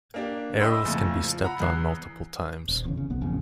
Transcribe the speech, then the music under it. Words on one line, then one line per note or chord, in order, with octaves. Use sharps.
Arrows can be stepped on multiple times.
A#3 D4 G4
D#5 E5 G5 B5 C6 E6
F#1 F2 A#2 A3
F3
F#5 A#5 B5
E2 F#6 C7
D#1
E2 C#3
C#3
B1 B3
A1 F2 C#3